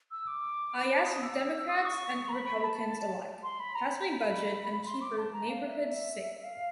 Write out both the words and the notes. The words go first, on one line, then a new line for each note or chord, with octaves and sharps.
I ask Democrats and Republicans alike: Pass my budget and keep our neighborhoods safe.
E6
D6
D#6
E6
D#6
C#6
A#5
B5
A5
C6
B5
A#5
B5
A#5
B5
C6
D6
A5
A#5
F5
E5
F5